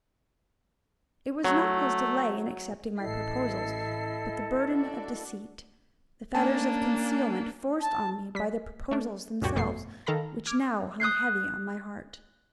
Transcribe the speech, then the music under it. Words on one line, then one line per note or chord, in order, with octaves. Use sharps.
It was not his delay in accepting my proposals, but the burden of deceit, the fetters of concealment forced on me by the proposals themselves, which now hung heavy on my heart.
F#3 A3
A1 E4 A4 D#5 C7
D4 F#4 D5
A#3 C#4 D4 G#5 A5
A5
G3 B6
A3 D4
C#2 F#2 A#2 F#4 G4 G#6
G1 F2 B2 A3 C#6 C7
D#3 A4 F5 A#5 B5 A#6
D6 F6 G#6
D#6 F#6 G6 C7